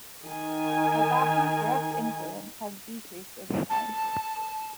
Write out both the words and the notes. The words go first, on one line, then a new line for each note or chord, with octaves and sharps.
Bourbaki's direct influence has decreased over time.
D#3 G#5
A5